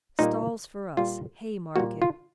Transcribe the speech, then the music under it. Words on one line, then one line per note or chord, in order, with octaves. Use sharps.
Stalls for us, Haymarket.
A#2 G3 A#3 D#4
A#2 G3 A#3 F4
A#2 G3 A#3 F#4
F4